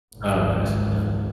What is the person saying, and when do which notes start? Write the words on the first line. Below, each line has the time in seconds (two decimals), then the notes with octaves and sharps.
Oh, nice. Yeah.
0.14 G#1 C#2 G#2